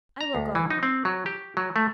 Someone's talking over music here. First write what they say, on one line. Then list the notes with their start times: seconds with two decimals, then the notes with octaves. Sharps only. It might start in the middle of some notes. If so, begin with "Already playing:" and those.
"I will go home."
0.21 A#5
0.35 D2
0.55 E3
0.70 D#4
0.83 C4
1.05 F#3
1.26 G4
1.57 F#3
1.76 A3